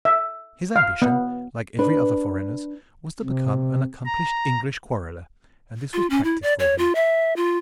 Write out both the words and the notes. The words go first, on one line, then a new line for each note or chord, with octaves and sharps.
His ambition, like every other foreigner's, was to become an accomplished English quarreller, and this was practice for him.
E5
F5
B3
D4 B4
C3
A#5
F4
C#4
E4
D5
C#5
F4
E5
F4